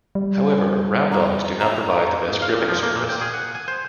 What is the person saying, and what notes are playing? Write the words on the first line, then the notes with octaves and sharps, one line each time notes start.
However round dogs do not provide the best gripping surface.
G3
A#5
A#5
G#2
F5
A#2
F3
A#3
A#2
G5
G#4
F#5
G#5
C5